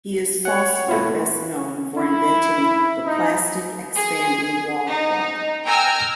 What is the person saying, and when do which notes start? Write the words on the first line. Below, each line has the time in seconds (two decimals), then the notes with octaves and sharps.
He is falsely best known for inventing, the plastic expanding wall plug.
0.45 C#5 F#5
0.89 A3 E4 F4
1.96 E4
3.05 D#4
3.95 G#4
4.90 D#4
5.65 G5 G#5 A#5 E6 F6